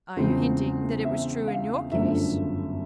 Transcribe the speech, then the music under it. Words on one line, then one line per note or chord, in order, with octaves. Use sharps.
"Are you hinting that it was true in your case?"
E2 C#3 F3 G#3 C4 C5
E5
F5
G1 F#2 D3 F3 A3 E5